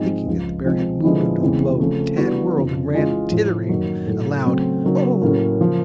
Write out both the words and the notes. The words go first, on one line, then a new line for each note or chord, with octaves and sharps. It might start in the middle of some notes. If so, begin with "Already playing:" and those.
Thinking that the bear had moved under the blow, Tad whirled and ran tittering a loud "Oh!"
Already playing: G#2 F3 G#3 C4
C#2 C#3 F3
F3 G#3 C4
D3 F3 G#3 B3 E4
E2 C#3 E3 G#3 C4
C#3 F3 A3 C4
E3 G3 B3 D4 F#4
F2 C#3 F3
E3 G#3 C#4 F4
A2 F3 A3
F#2 D#3 F#3 A#3
A2 F#3 A3
C#3 F#3 A3 C4
C#3 F#3 A#3 D#4
A2 F#3 A#3 C#4
C#3 F3 A#3